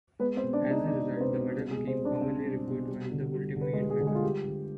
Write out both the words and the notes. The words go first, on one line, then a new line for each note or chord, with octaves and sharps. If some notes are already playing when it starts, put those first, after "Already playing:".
As a result, the medal became commonly referred to as the "Woltemade Medal".
G#3 B3 B4
C4 C5
B2
D4 D5
G#3
D#4 D#5
B2 D4 D5
G#3
B4
C4 C5
B2
G3 G4
G#3 G#4
B2
C4 C5
G3
D4 D5
B2 C4 C5
G3
B2
G3
D3
G3
D3
B4
G#3 G#4
G3
G#3 G#4
D3
G#3 G#4
F4
G3 G4
D3